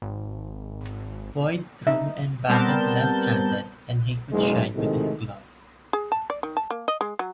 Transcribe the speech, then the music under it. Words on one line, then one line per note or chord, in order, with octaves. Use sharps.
Boyd threw and batted left-handed, and he could shine with his glove.
G#1
D#4 E5
G3 B3 C4 A#4 A5 G6
F#1 B1 G#3
A2 C3 D#3 F#3 G#3 A3
G#4
A5
D5
D#3
A5
A#3
D#5
G#3
F#3